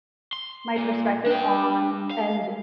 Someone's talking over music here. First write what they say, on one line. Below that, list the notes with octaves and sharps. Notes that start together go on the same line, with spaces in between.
my perspective on and
C6
A#2
D4 G5
F5